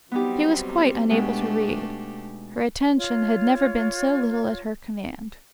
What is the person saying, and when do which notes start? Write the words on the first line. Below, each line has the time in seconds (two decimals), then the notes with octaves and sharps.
She was quite unable to read; her attention had never been so little at her command.
0.12 F#3 G3 B3 C4 D#4 G4
1.10 B2 G#3 A3 D4 G4
2.96 F4 C#5